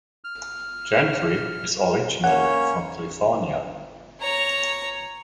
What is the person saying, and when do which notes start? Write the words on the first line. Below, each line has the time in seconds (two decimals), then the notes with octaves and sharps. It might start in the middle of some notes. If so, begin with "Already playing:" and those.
Gentry is originally from California.
0.24 F6
2.24 A#3 C#4 C#5 F#5
4.21 C#5 A#5